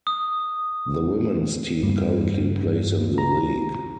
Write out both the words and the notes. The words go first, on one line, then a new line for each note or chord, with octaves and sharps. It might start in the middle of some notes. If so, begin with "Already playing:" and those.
The Womens team currently plays in the league.
D#6
G2
A#5